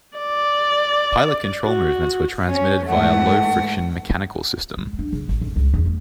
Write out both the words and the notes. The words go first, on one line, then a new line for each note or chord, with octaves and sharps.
Pilot control movements were transmitted via a low-friction mechanical system.
D5
F#4
C#4
G#2 E3 A3 F#5
G#3
D4
C#3
A1
F2
C#2
E2
A3